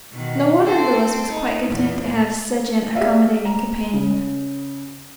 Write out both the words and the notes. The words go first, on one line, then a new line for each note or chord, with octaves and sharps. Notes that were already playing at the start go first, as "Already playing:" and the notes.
No wonder Louis was quite content to have such an accommodating companion!
B2 D#3
C4 A4 C5
D#4
E2 A#2
G4 G#4 D5 E5 F5
A#5
C#3